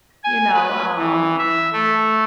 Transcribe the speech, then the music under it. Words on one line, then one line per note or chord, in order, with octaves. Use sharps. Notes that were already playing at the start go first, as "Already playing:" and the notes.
you know, um,
G#5
B4
E3
E5
A3